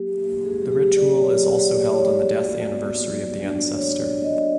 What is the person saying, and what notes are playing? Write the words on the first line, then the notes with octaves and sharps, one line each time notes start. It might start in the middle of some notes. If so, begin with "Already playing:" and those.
The ritual is also held on the death anniversary of the ancestor.
Already playing: F#3 A#3 G4
A#3
G#4
F#3 G4
G4
G#4
F#3 D5
C#5
F#3
D5
A#3
C#5
A#3 D5
F#4
B3
F#3
D4
D4 C#5
D5
D4
D#5